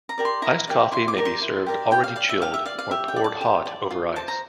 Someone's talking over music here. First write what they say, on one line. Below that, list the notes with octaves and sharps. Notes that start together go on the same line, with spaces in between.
Iced coffee may be served already chilled, or poured hot over ice.
A#5
G4 A#4 D5
C6
E4 A#5
G4 A#4 D5
E4 C6
D6
G4 A#4 D5
C6
E4
G4 A#4 D5
G4 G5
F5
D5 F5
E5
G4 F5
E5
D5 F5
F5
G4 E5
G5
D5
A5
G4
D5
F4
C5 A5
A#5